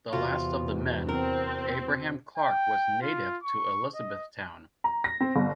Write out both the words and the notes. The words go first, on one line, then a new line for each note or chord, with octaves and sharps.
The last of the men, Abraham Clark, was native to Elizabethtown.
E2 C3 F4 F#4
C4 A#4
G5
F4
C#6
D#5
A#5
A#6
C4
G1